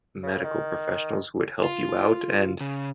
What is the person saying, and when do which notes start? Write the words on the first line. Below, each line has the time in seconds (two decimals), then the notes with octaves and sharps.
medical professionals who would help you out, and
0.23 C#3
0.44 D#3
1.63 F4
2.61 C#3